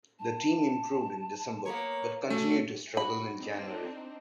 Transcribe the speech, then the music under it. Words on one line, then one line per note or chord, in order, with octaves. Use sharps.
The team improved in December, but continued to struggle in January.
A5
A#3 B3 C#5 A#5
A3 C#4 D4 F#4
F#4 B5
C4 D4 D#4